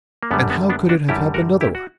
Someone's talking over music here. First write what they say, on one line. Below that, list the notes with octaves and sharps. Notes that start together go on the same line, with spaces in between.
And how could it have happened otherwise?
A#3
F#2 D3 G3 B3
B3
B3 D4
D4 F#4
F#2 D3 G3 E4 G4
F#4 A#4
E4 G4
F#4